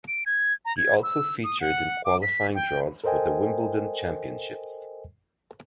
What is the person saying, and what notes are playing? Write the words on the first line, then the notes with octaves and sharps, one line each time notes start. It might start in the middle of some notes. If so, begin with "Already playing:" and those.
He also featured in qualifying draws for the Wimbledon Championships.
D7
G#6
A#5
G#6
E6
D#6
F#5
D6
B6
G5
A4 A#4 C5 D#5 G5 G#5